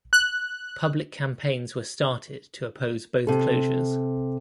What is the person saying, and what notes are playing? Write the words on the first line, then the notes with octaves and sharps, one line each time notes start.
Public campaigns were started to oppose both closures.
F#6
C3 A4